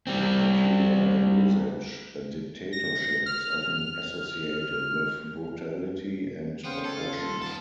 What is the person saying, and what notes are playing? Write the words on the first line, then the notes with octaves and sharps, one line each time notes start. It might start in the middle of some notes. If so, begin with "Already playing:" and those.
In popular usage, a "dictatorship" is often associated with brutality and oppression.
G3 C4
A#6
F6
C#3 B3 C5 F5 G5
G#3 A4 C#5
F4 C6 F6
D#1
B3 A5